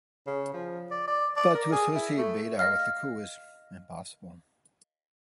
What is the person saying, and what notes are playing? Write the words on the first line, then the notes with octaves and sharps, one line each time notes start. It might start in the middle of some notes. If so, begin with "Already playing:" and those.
But to associate Baydar with the coup is impossible.
C#3
F3
D5
D5
D5
A#4
G#4
E4
A3
D#5 F5 F6